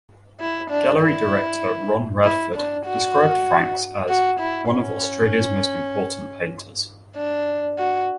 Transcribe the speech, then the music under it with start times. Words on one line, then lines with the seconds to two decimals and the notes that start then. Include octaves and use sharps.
Gallery director Ron Radford described Franks as 'one of Australia's most important painters'.
0.40 E4
0.70 D4
1.01 E4
2.24 E4
2.55 D4
2.86 F#4
4.09 F#4
4.40 E4
4.71 C#4
7.16 D4
7.78 F#4